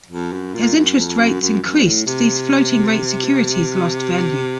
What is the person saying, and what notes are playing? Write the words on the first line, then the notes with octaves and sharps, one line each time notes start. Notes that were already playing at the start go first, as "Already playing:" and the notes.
As interest rates increased, these floating rate securities lost value.
F2
F#2
A#2
F#2
F2
F#2
F#2
F#2
A2
C3